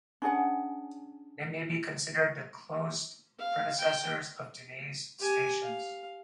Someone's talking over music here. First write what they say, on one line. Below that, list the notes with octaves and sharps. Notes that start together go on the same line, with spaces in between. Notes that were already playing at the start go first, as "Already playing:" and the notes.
They may be considered the closed predecessors of today's stations.
C#4 D4 G#4 F#5
F5
G5
G4 G#5
F5